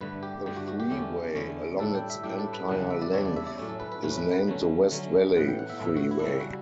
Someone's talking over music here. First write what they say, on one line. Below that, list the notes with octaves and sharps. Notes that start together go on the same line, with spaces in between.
The freeway, along its entire length, is named the West Valley Freeway.
G2 D3 A3 B4
G4
G2 D3 A3 G4
F#4
F#4
G4
E2 D3 A3 C#4
E2 D3 A3 C#4
A2 G3 D4 A4
G5
E5
A2 G3 D4 G4
A4
B4
E2 C#3 G3 D4 F#5
F#5
E5
D5
E2 C#3 G3 D4 C#5
D5
E5
D5
A2 F#3 A3 C#4
A4
B4
B4
A2 F#3 A3 C#4 B4
B4
B4
D3 F#3 A3 C#4
D3 F#3 A3 C#4
A2 E3 B3 F#5
G5
F#5
E5
A2 E3 B3 E5
F#4
E4
D4
C#3 G3 C#4 E4
F#4